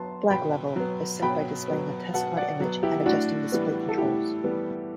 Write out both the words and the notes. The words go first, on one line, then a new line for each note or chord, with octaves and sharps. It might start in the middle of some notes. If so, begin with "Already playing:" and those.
Black level is set by displaying a testcard image and adjusting display controls.
Already playing: F#3 B3 A5 C6
B2 G5 B5
F#3 B3
B2 G5 B5
F#3 B3
B2 F#5 A5
D5 F#5
F#3 B3
E4 G4
A2 D4 F#4
E3 G3 B3
A4
A2 E4 G4
E3 G3 B3